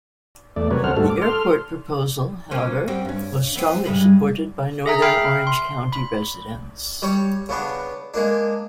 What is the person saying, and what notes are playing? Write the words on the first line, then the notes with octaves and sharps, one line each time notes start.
The airport proposal, however, was strongly supported by Northern Orange County residents.
E2 A3 D5
C3 F#3 A#4 B4 C#5
D2 C#4 A4 C5 F#5 F6
G#2 G3 A3 D4 F#4 A4
D6
A4 C6 F6
A#3 C#4 C5
G3 C4 F#4
G2 C#4
E3 B3 C4
G2 G3 G#3
G#4 E5 A#5
E5 G5 B5 F6 C7
C6
B5
G3 C#5
C#3 B3 D4
G#3 A#3 D4